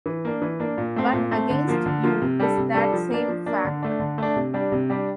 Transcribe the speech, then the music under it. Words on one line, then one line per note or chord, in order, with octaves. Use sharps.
But against you is that same fact.
E3
A#3 D4
E3
A#3 D4
A#2
A3 C4
A#2
A3 C4
D3
F3 A#3 F4
D3
F3 A#3 F4
C3
G3 D4 A4
C3
G3 D4 A4
F3
A#3 D4
F3
A#3 D4
D3
A3 D4
D3
A3 D4
C3
G3 D4
C3
G3 D4